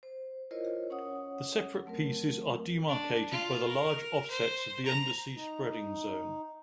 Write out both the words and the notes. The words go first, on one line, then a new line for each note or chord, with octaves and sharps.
The separate pieces are demarcated by the large offsets of the undersea spreading zone.
C5
E4 F4 A#4 C5 C#5 D#5
C#4 C#5 F#5 D#6
F#3 A3 C4 A#4
D4
F4
A#4
C5
A#5
D#4